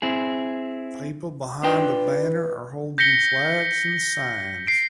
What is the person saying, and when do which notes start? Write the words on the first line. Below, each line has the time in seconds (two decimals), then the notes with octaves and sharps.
People behind a banner are holding flags and signs.
0.02 C4 E4 G#4
1.63 D4 F4 B4 G5
2.98 G6 A#6 B6 C#7 G7
4.67 C7 D7